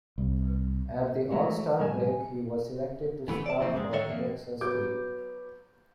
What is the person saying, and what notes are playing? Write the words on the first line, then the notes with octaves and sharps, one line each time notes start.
At the all-star break he was selected to start for the Texas League.
C2
E3 F#3 G#3 A3 F#4
F2 A2 G3 D4 G#5 A5
C#3 E3 A3 B3
D5 A5
F2 A#2 C#3 E3 C4
F#2 G#3
D3 D#3 D4 D#4 C#5 E5
F2 A#3
F#3 B3 D6 G6